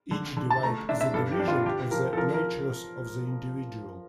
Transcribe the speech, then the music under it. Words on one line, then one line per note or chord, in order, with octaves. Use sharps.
Each divide is a division of the natures of the individual.
D3
D3
A5
A3 A#5
D4 E5
E5
G2 A4
G4
D4
F4
D3 G4
F3 A#4
A4
F3 A#4
A#4